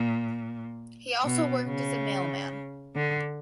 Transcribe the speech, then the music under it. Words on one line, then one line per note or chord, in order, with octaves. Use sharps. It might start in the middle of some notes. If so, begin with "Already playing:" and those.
He also worked as a mailman.
Already playing: A#2
B2
C#3
D3